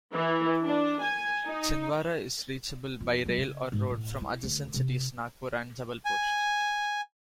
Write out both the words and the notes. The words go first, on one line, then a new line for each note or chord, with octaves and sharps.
Chhindwara is reachable by rail or road from adjacent cities Nagpur and Jabalpur.
E3
D4
G#5
D#4
F2
F#3
C#3
G#2
A2
E4
D2
C3
G#5